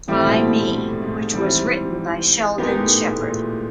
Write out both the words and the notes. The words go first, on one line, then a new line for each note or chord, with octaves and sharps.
By Me, which was written by Sheldon Sheppard.
A2 E3 G3 C4 E4 G4
B2
A#2
A2
A2
G#2
E3 G3 C4
G#2 G#3 B3 D#4 G4 A#4
A2
A#2
A2
A#2